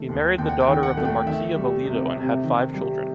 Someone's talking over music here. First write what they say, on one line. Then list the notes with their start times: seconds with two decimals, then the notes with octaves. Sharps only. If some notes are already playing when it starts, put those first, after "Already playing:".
He married the daughter of the Marquis of Aledo and had five children.
Already playing: D#3 A3
0.09 D#2
0.38 D#2 G5
0.49 F#5
0.60 G5
0.68 D#3
0.83 F#5
0.97 A3
1.05 G5
1.26 D#3 E5
1.55 G3
1.85 C3
2.15 C3
2.44 D#3
2.74 G3